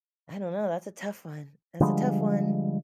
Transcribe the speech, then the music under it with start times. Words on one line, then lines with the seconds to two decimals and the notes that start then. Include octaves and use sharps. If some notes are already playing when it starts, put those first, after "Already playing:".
I don't know. That's a tough one. That's a tough one,
1.80 D3 F3 G3 G#3